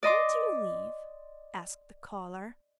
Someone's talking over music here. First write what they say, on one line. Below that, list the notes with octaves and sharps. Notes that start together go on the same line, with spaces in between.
"Where do you live?" asked the collar.
D5 D#5 C6 D6